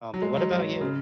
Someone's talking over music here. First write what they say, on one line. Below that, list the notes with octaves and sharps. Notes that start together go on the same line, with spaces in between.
Um, but what about you?
F#3
G#3
F#3
F#3
C#3